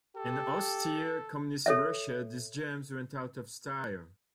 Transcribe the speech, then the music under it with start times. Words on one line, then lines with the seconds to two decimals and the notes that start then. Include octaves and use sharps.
In austere Communist Russia, these gems went out of style.
0.16 G4 A4
1.66 A4 C#5 E5